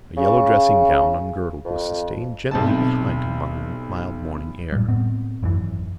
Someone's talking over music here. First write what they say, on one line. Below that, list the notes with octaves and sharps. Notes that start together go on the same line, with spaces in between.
A yellow dressinggown, ungirdled, was sustained gently behind him on the mild morning air.
C#3
F2
B1 C3 A5
A2 G3
A2 B3 C4
G#1 F#2 E3